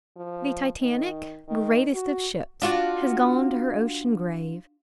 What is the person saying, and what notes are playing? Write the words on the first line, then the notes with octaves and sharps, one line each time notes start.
The Titanic, greatest of ships, has gone to her ocean grave.
F3
D#3
D#3
F#4
D4 F4 F#4